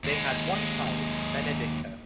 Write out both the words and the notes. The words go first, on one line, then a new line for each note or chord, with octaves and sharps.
They had one child, Benedicta.
D#2 G#3